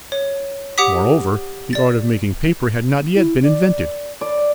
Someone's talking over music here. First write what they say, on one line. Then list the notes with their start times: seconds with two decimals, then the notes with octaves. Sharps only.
Moreover, the art of making paper had not yet been invented.
0.12 C#5
0.78 G4 F#5 D6 D#6 B6
1.73 D5 A6
3.15 E4
3.43 D5
4.21 D5